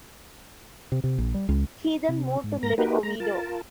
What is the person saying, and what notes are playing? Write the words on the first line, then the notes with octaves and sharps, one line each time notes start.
He then moved to live in Oviedo.
C3
C3
A#1
G3
C#2
C3
G#2
G#2 A#4 A#5 A#6
A#3 D#4 F#4 G4 A#4 B4
G#3 A#5
F4 A#4 A5